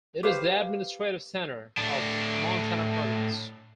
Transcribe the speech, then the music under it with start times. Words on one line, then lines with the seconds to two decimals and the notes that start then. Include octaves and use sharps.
It is the administrative centre of Montana Province.
0.23 G4 B4 C5 F5
1.77 A2 D4